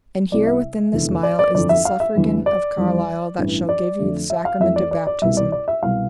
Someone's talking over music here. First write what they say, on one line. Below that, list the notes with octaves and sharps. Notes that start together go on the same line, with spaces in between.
And here within this mile is the Suffragan of Carlisle that shall give you the sacrament of baptism.
C2 C3 G3 D5
E5
F1 E2 D3 A3
D5
D5
G1 F2 E3 D5
E5
F5
E5
E2 D3 G3
D5
F2 E3 G3
A1 G2 E3
D5
F2 D3 A3
E5
F5
F2 E3 A3 E5
D5
D5
D5
C2 B2 G3 E5
D5
D5
E5
C2 B2 G3 F5